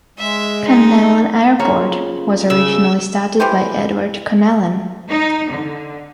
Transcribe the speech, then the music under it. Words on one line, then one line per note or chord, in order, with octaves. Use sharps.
Connellan Airport was originally started by Edward Connellan.
G#3 E5
D#4
C#3 F3 A#3 C#5
C#3 D6 E6
E3 G4 B4 C5
D#4
D3